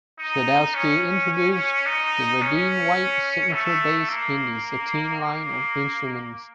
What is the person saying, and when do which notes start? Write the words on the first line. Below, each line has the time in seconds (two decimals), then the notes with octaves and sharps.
Sadowsky introduced the Verdine White signature bass in the Satin line of instruments.
0.19 D#4
0.74 C#4
1.87 D#4
2.42 C#4
3.53 A3
4.08 A#3
5.20 A#3